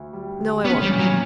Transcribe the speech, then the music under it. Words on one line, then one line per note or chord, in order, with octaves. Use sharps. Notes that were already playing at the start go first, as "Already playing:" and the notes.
No, I won't.
Already playing: D2
G3
D3
B3 C#4
G3
A#2
F#3